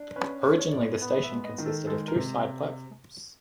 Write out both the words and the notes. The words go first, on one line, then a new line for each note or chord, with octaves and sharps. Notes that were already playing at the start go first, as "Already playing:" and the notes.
Originally the station consisted of two side platforms.
Already playing: D4
C#4 B4
C#4
C#5
A2 D5
C#5
B3 F#5
E5
G#3
D#5
D#3
A4
G#3 A4
A#4
C3